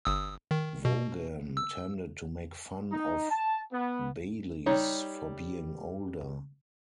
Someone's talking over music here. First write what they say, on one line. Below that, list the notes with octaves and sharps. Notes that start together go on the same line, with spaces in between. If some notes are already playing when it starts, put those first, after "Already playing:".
Vaughan tended to make fun of Baylis for being older.
G1 D#6 E6
D#3
B2
E6
D#4
A5
B3
G3 D#4 C#5